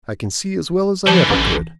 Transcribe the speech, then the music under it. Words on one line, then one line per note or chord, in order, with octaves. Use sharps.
I can see as well as I ever could.'
D3 E3 F3
A1